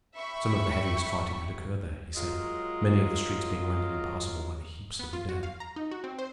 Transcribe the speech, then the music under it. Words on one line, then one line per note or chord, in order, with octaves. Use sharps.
Some of the heaviest fighting had occurred there, he said, many of the streets being rendered impassable by the heaps of the dead.
E5 G5 B5 C#6
F#3 G#3 F4 A#4
B3
F4
F#4
F5
A#5
D#4
F#4
C4
C5